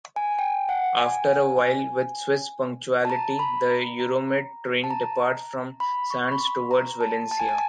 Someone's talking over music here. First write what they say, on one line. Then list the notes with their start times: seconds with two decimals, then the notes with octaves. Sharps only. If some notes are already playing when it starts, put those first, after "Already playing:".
After a while, with Swiss punctuality, the Euromed train departs from Sants towards Valencia.
0.16 G#5
0.39 G5
0.69 F#5
0.99 G#5
3.05 A5
3.10 A#5
3.39 B5
3.70 A#5
4.00 A#5
4.84 A5
4.90 A#5
5.80 B5
6.10 C#6
6.32 B5
6.40 C6
6.71 A#5
7.01 A5
7.31 A5
7.40 G#5
7.49 A5